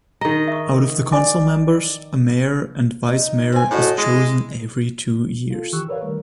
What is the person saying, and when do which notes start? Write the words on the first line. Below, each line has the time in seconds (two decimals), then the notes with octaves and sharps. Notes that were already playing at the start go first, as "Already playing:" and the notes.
Out of the council members, a mayor and vice-mayor is chosen every two years.
0.21 D#3 G#4 D#5 A#5
0.48 E5 C#6
1.12 D5 G#5
3.08 D#4
3.52 C4 G#5
3.71 A2 A3 F#4 D#5
3.98 G#3 E4
5.51 F4 A4
5.72 D#3 E3 G4 C#6 E6 F#6
5.89 A#4 B4 C#5 D5 F5
6.01 D#3 G3 A3 A#4